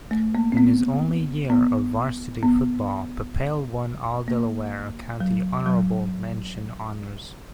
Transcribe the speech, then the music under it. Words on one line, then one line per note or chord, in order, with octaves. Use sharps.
In his only year of varsity football, Papale won All-Delaware County Honorable Mention honors.
A3
A#3
C4
B3
B3
B3
A#3
F#3
F#3